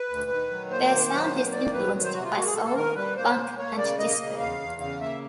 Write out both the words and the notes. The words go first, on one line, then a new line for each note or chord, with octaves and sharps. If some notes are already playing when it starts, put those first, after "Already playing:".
Their sound is influenced by soul, funk and disco.
Already playing: B4
D2
D#3
F#3
A#3 C5
D#3
F#3
A#3
D#3 D5
F#3 B4
D#3
C5
C3 F#4
F4
A#3 F#4
G#4
A#3 A4
A4
D#3 A#4
G3 B4
A#3 C5
C#5
C5
A#3
A#3 C#5
C#3 D5
A#3 D#5
C#3
E2 F5
E2
C#3 F5
A#3 E5